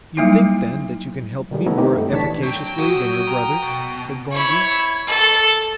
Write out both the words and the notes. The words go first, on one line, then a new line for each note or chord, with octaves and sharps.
"You think, then, that you can help me more efficaciously than your brothers?" said Gondy.
F#3 G3 A#3 D#4 E4
B2 D#3 G3 G#3
A3 B3 C#4 D#4 E4
A3 A#3 C4 C#4 D#4 G4
G2 A3
A#1 E3 D4 C#5 A5 B6
F#3 G5
F#4 D#6
A#4
B2
E4 C#5
A4